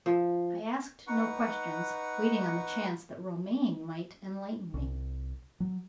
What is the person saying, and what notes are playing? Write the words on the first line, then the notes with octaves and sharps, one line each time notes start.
I asked no questions--waiting on the chance that Romayne might enlighten me.
F3
D#4 B4 F#5 C#6
C2
F#3